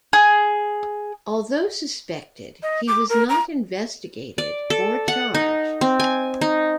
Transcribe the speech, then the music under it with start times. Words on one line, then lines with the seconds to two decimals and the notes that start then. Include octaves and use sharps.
Although suspected, he was not investigated or charged.
0.13 G#4
2.63 D#5
2.88 D6
3.09 A#4
3.29 A#5
4.38 D5
4.70 A4
5.08 F#5
5.34 D#4
5.81 C4
6.00 G#5
6.41 D#4